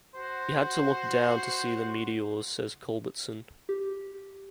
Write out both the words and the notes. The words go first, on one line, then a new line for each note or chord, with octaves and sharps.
"We had to look down to see the meteors," says Culbertson.
F#4 C5
G4